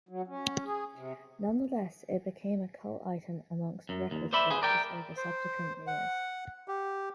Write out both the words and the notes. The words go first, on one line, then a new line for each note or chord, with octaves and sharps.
Nonetheless it became a cult item amongst record collectors over subsequent years.
F#3
C#4
G#4
C3
F#2
D#2
C5 D5 E5 B5
G#4 B4 C5
A#4 D5 G5
C5
F#5
G4